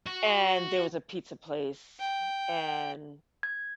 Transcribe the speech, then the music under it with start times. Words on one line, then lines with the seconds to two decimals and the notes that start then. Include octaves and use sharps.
and there was a pizza place, and
0.06 F#4
2.00 G5
3.43 G#6